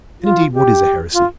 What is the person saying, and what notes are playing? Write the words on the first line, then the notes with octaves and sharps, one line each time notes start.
And, indeed what is a heresy?
F4
G4
F4